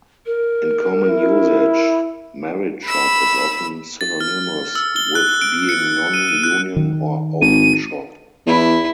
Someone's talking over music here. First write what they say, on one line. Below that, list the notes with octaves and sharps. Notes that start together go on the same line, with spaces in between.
In common usage, "merit shop" is often synonymous with being non-union or open shop.
A#4
E4
B5 E6
A6
F6
E6
G7
F#6
D7
C#7
D#7
D#7
F#6
D#3
G#1 D#7
E2 E4